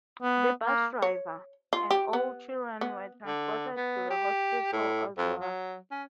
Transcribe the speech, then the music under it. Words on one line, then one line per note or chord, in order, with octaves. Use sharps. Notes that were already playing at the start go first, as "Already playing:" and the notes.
The bus driver and all children were transported to the hospital as well.
B3
A#3
C#5
F4
G4
B3
B3
D3
B3
G4
A2
F2
F#3
C#4